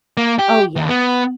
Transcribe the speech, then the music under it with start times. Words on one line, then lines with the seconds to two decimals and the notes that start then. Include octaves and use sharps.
Oh, yeah.
0.17 A#3
0.39 G4
0.76 D#2
0.88 B3